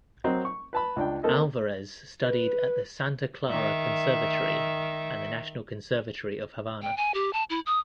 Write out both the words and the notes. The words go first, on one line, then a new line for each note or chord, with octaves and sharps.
Alvarez studied at the Santa Clara Conservatory and the National Conservatory of Havana.
F#3 C4 A#4 D#5 A#5
C#6
B4 A5 B5
C#2 D4 G5
A#3 C4 A4 A#4 D#5
B4
D#3 E5
G5
G#5
G4
A5
E4
D#6